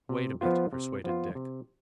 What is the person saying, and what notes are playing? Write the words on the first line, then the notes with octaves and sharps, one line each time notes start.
"Wait a bit," persuaded Dick.
C3
F3 B3 F4
C3
F3 B3 F4
C3